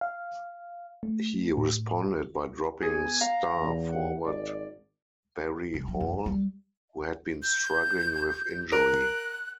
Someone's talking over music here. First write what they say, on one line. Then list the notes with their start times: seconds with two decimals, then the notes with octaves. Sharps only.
He responded by dropping star forward Barry Hall, who had been struggling with injury.
0.01 F5
1.03 A3
1.57 A2
2.82 B3 G#4 G#5
3.21 F5 A#5
3.59 E2
3.91 F#5
4.25 G#1 D5
5.74 C2
5.88 F#3
6.00 F#2
6.13 C#2
6.26 G3
7.43 G6
8.72 A#4 F#6